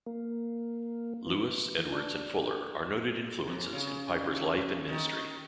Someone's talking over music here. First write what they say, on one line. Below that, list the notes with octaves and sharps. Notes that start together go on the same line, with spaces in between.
Lewis, Edwards and Fuller are noted influences in Piper's life and ministry.
A#3
E3
D4
F2
C#3
D#3